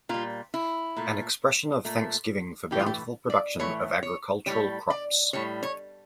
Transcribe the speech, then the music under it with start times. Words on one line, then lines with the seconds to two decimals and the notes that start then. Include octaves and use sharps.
An expression of thanksgiving for bountiful production of agricultural crops.
0.09 A#2 G3 F4
0.54 E4
0.97 A#2 A3
1.85 A#2 A3
2.71 A2 E3 A3 G4
2.80 F4
2.86 G4
3.30 D5
3.59 A2 E3 A3 C#5
4.03 C#5
4.46 A2 G3 C#5
4.90 D5
5.33 A2 G3 C#5
5.63 C#5